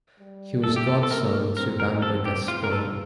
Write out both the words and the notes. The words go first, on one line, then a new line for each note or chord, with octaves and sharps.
He was godson to Bamber Gascoyne.
G3
A3 A4
G4
A4
A4
A#3 A#4
C4 A#4
A#4
A4
G4
F4
A#4
A4